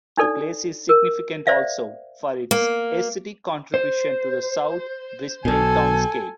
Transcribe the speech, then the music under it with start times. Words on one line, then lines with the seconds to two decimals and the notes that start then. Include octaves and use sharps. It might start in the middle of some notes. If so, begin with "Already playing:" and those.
The place is significant also for its aesthetic contribution to the South Brisbane townscape.
0.17 D4 D#4 A4 D5
0.89 A#4
1.47 C5 D5 E5 F5
2.51 A#3
3.74 C5
5.45 B1 B2 A4 G#5